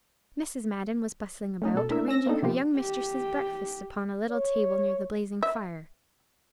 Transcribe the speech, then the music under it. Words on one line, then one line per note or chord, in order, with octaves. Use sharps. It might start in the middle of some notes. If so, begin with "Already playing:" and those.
Mrs. Madden was bustling about, arranging her young mistress's breakfast upon a little table near the blazing fire.
A3 C#4 D#4
B2 A4
A3 D4 E4 A#4 E5
C#4 E6 A#6
A#3 C4 D4 D#4 A4
C3 F3 B3 F4 G4
G4
C#5
E5